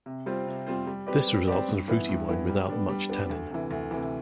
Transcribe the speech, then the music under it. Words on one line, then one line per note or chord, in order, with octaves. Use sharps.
This results in a fruity wine without much tannin.
C3
G3 C4 F4 C5
C3
G3 C4 F4 C5
G3
C4 G4 B4 D5
G3
C4 G4 B4 D5
G2
E3 B3 E4
G2
E3 B3 E4
G3
B3 D4
G3
B3 D4
D2
C3 E3
D2
C3 E3